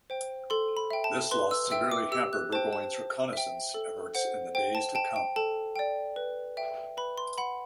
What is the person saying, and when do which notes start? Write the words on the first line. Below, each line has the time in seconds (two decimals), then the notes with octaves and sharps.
This loss severely hampered Burgoyne's reconnaissance efforts in the days to come.
0.10 C5 G5
0.50 A4 C6
0.77 B5
0.91 E5 G5
1.04 A5
1.31 B4 C6
1.51 E6
1.71 E5 G5 E6
1.91 D6
2.12 G4 E6
2.33 F#6
2.52 C5 G5 A5
2.73 A5
2.93 C5
3.33 E5 G5
3.74 A4
4.15 C5 F#5
4.55 C5 G5
4.75 A5
4.95 G5 A5
5.16 G5
5.36 A4 A5
5.76 D5 G5
6.16 B4
6.57 E5 G5
6.97 B4 B5
7.18 C6
7.38 F#5 B5